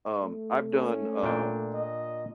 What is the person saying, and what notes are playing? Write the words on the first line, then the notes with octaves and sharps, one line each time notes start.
Um, I've done, um
A3
C#4
A#2 D4 G5
D#5